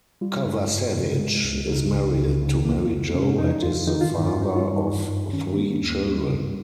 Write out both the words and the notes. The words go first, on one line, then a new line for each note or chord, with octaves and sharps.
Kovacevich is married to Mary Jo and is the father of three children.
G3 F4
G2
G2
C3
G#3
C#2
C#3 D#4
C#2
C#2
C#3
A#3
F2
C3 C#4
F2 D#4
F2 F4
D#3 D#4
F4
G2 D#4
F4
G2
D#4
G3 F4
D#4
G2
G2
D#3 C#4
A#3
D#2
G3
G2